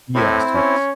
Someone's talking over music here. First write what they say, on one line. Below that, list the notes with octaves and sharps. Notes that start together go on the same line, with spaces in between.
Yes, yes.
A2 C4 E4
C#4